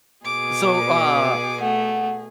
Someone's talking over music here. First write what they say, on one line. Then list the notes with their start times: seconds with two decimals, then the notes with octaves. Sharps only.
So, uh,
0.25 B2 G#4 D6
1.61 A3 F#5